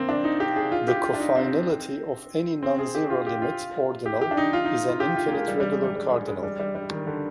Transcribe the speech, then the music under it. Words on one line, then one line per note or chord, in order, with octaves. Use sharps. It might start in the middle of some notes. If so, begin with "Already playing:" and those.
The cofinality of any nonzero limit ordinal is an infinite regular cardinal.
Already playing: A#3 C4
D4
D#4
G4
G#4
F4
G4
F4
D4
D#4
C4
C4
C4
G#4
G4
F4
G4
F4
G4
G4
D4
D#4
F4
D#4
F4
G4
F4
A#3
G#3
G3
G3
G#3
G3
G3
G#3
G#3
G3
G3
G3
D#3
D3